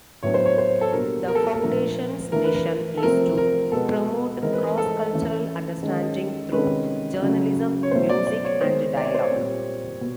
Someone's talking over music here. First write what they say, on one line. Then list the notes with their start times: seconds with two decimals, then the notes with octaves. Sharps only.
The foundation's mission is to promote cross-cultural understanding through journalism, music, and dialogue.
0.23 A2 F#3 B3 D4 C#5
0.34 C5
0.46 C#5
0.58 C5
0.81 A4
0.93 B2 G3 A#3 D4 A#4
1.28 A#4
1.35 A4
1.43 A#4
1.62 A#2 F3 A3 D4 A#4
2.32 E3 A3 D4 A#4
2.44 B4
2.55 A#4
2.97 A4
3.02 C3 F3 A3 C4 A#4
3.38 A#4
3.72 B2 G#3 B3 A4
4.42 E3 G#3 C4 D#4 A#4
4.53 B4
4.62 A#4
4.78 A4
5.13 E3 A3 C#4
5.83 D#3 G#3 C#4
6.52 C3 D#3 G#3 C#4 B4
7.22 C#3 F#3 A3
7.83 C#5
7.91 B2 F#3 A3 C5
8.09 D5
8.27 D5
8.45 C#5
8.61 D#3 G#3 B3 D#4 C5
8.97 D5
9.05 C#5
9.15 C5
9.22 C#5
9.31 A#2 G3 C4
10.01 B2